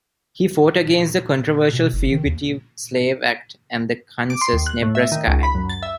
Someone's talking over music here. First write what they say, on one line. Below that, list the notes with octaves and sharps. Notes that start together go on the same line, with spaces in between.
He fought against the controversial Fugitive Slave Act and the Kansas-Nebraska Act.
B2
F#1
D#3
D#2
D6
C6
D#2
F#6
A2
E5
D#3
C#2
B5
F#2
A6
E5